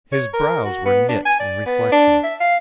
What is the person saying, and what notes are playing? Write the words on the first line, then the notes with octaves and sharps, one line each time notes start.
His brows were knit in reflection.
C#5
A#4
F#4
B3
D4
G#5
D5
B3
D4
E5
F5